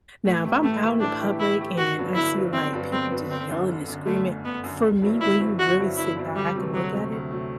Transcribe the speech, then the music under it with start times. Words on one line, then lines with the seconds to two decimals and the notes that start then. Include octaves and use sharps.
Now, if I'm out in the public, and I see, like, people just yelling and screaming, for me, when you really sit back and look at it,
0.25 A2 A3
0.44 E3 A3 E4 G4
0.63 A2 A3
0.82 E3 A3 E4 G4
1.00 A2 D4
1.20 E3 A3 E4 G4
1.39 A2 E4
1.58 E3 A3 E4 G4
1.77 G1 F#4
1.96 G2 F#3 B3
2.15 G1 E4
2.34 G2 F#3 B3
2.53 G1 C4
2.73 G2 F#3 B3
2.92 G1 C4
3.11 G2 F#3 B3
3.30 G1 C4
3.49 F#2 D3
3.68 G1
3.88 F#2 D3
4.06 G1 A3
4.26 F#2 D3
4.44 G1 B3
4.64 F#2 D3
4.83 G1
5.02 G2 F#3 C4 E4
5.20 G1 E4
5.40 G2 F#3 C4 E4
5.59 G1 F#4
5.78 G2 F#3 C4 E4
5.97 G1 E4
6.17 G2 F#3 C4 E4
6.35 D2 G3
6.55 C3 F#3 A3
6.74 D2 F#3
6.92 C3 F#3 A3
7.12 D2
7.31 C3 F#3 A3